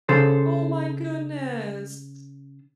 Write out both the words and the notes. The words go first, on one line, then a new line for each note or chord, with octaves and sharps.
Oh, my goodness.
C#3 A4 C5